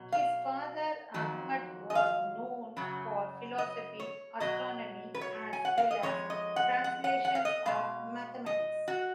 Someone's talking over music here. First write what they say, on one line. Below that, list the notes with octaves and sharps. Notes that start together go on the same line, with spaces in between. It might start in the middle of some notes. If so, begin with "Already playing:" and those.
His father Ahmad was known for philosophy, astronomy, as well as translations of mathematics.
Already playing: B2 F#3
F5
F2 D#3 F#3
D#5
F5
F#2 C#3 F#3
D#5
C#5
B2 F#3 D#5
B4
C#5
G#5
F#5
F5
D#5
F2 D#3 G#3 C#5
D#5
F#5
F#5
F#5
F#5
F5
D#5
B2 G#3 F5
D#5
F#4